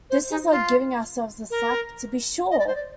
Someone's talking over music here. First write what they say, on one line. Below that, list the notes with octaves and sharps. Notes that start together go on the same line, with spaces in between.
This is like giving ourselves a slap, to be sure!
C5
D#4
F4
A#4
D#5
D5
C5
D5